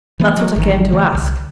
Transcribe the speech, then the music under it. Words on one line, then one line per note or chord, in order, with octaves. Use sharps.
That's what I came to ask.'
E3 A3 B3
F#3
G#1 D#3 E3
D3 E3 A3
C2 D3